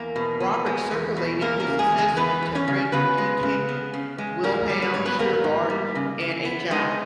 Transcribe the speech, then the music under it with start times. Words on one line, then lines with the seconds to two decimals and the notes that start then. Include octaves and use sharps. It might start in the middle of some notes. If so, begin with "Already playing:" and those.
Roberts circulated his assessment to Frederic G. Kenyon, Wilhelm Schubart and H. I.
Already playing: E2 A#3 A#4
0.16 B2
0.40 B3
0.66 G#3
0.91 E2
1.17 B2
1.41 E2 A#3 A#4
1.60 A#3 A#4
1.67 C#3
1.79 G#3 G#4
1.92 E2
1.98 G#3 G#4
2.17 E3 B3 B4
2.43 E2
2.55 C#4 C#5
2.68 C#3
2.92 C#3 B3 B4
3.18 G#3
3.43 C#3
3.69 B3
3.94 C#3
4.18 G#3
4.44 G#2 A#3 A#4
4.70 G3
4.82 B4
4.94 G#2 C#5
5.05 B3 B4
5.19 A#3 B3 A#4
5.44 G#2
5.70 G3
5.95 C#3
6.20 E3
6.45 B3
6.71 G#3 D#4 D#5